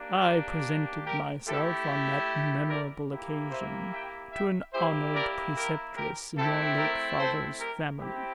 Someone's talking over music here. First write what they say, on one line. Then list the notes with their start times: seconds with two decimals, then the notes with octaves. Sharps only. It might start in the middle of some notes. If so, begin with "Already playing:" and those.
I presented myself on that memorable occasion to an honored preceptress in your late father's family.
Already playing: A#3 D4 G4
1.06 G4 A#4
1.47 A3 E4 G4 A4
2.69 A#4 D5
3.10 A#3 E4 G4
3.51 C5 E5
3.92 E5 G5
4.32 E5 G5
4.73 A#3 E4 G4 C5 E5
5.14 A#4 D5
5.55 G4 A#4
5.95 G4 A#4
6.36 A3 C4 E4 G4 A4
6.77 G4 A#4
7.18 A4 C5
7.58 G4 A#4
7.99 C4 E4 G4